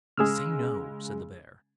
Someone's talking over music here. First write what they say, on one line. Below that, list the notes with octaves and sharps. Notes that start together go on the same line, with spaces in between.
'Say, no!' said the Bear.
C#3 G#3 G#4 E6 F6